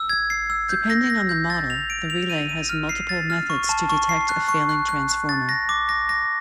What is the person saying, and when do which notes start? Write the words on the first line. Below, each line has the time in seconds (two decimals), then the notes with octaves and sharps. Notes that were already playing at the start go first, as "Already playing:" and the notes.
Depending on the model, the relay has multiple methods to detect a failing transformer.
Already playing: E6
0.09 G#6
0.30 C7
0.50 E6
0.69 G6
0.90 A#6
1.10 A#6
1.29 G6
1.50 A6
1.70 F7
1.90 D7
2.10 F7
2.30 D#7
2.49 D#7
2.69 F6
2.89 C7
3.09 A6
3.30 F6
3.50 C#6
3.69 A5
3.89 C#6
4.09 C7
4.29 F#6
4.49 C#6
4.69 F#6
4.89 F#6
5.09 F#6
5.29 A6
5.49 A#6
5.69 D6
5.89 A#6
6.09 A#6